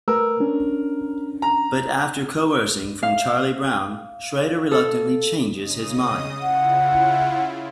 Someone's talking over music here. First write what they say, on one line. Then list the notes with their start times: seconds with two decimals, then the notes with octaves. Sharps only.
But after coercing from Charlie Brown, Schroeder reluctantly changes his mind.
0.08 A3 A#4 B4 E6
0.40 C#4 D4
1.42 A#5
3.03 F5
4.71 A4
5.52 C#3 D#5 D#6
6.41 C#3 E4 F4 F#5